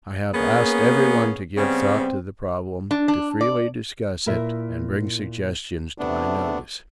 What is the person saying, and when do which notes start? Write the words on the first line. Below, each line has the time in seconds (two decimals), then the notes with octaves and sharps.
I have asked everyone to give thought to the problem, to freely discuss it, and bring suggestions to my notice.
0.34 A#3 B3 C#4 G#4
1.57 C#3 G3 B3 C4
2.91 D4
3.08 D4
3.41 D5
4.26 A#2 E4 A#4 E5
5.98 C3 A3 B3 D4